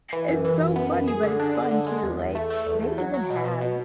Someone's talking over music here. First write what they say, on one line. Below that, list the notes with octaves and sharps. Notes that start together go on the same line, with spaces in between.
It's so funny, but it's fun, too, like, they even have
E3
F#2
E3
F#2
B3
F#2
G#4
D3
D4
D3
D3
G#3
E2
E2
A3
A3
E2
E2
F#3
F#3
B2
B2
B2